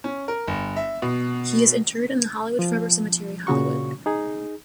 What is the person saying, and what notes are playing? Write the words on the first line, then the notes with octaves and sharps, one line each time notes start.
He is interred in the Hollywood Forever Cemetery, Hollywood.
C#4
A#4
G1
E5
B2
F3
A#2 C#3 F#4 C#6
D#4 G#4